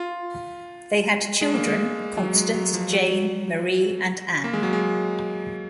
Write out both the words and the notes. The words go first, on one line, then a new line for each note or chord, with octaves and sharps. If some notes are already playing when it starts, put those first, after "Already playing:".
They had children Constance, Jane, Marie and Ann.
Already playing: F4
G#3
A#3
G#3
F#3
G#3
F#3
F3
F#3
A#3
G#3
F#3
G#3